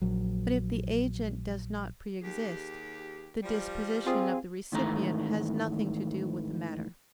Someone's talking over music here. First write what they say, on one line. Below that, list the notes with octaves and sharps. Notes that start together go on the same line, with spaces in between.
But if the agent does not pre-exist, the disposition of the recipient has nothing to do with the matter.
A#1 F#3
D#2 G4 G#4
F3 G3
C4 F4 G#4
G#2 D#3 E3 A3 A4 A#5